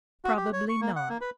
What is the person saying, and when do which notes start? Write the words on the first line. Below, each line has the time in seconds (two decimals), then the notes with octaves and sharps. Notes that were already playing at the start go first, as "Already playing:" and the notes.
Probably not.
0.25 F#4
0.37 G4
0.53 C#5
0.69 C#6
0.81 A#3
0.96 F#5
1.09 A#3
1.21 B4